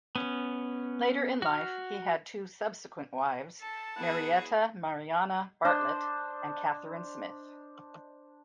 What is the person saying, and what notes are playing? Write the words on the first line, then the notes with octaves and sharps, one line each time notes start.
Later in life, he had two subsequent wives, Marietta Mariana Bartlett and Catherine Smith.
B3 C#4
F#4 F6
A4 A5
B3 E4 G#4 F#5 B5
D4 C5 D#5